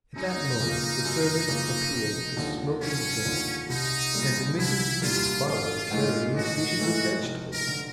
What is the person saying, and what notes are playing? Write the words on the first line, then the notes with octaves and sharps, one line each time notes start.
At that moment the servant appeared with a smoking joint, and Mrs Yule followed carrying dishes of vegetables.
F#2 D#4
C#3 F3 A#3
F#2
C#3 F3 A#3
F1
D#2 D3 F3
F1 C#4
D#2 D3 F3
C2 D#4
A#2 G3 A#3
C2 E4
A#2 G3 A#3 F4
A1 F4
G#2 E3 A3
A1 F#4
G#2 E3 A3
F1
A#4
D3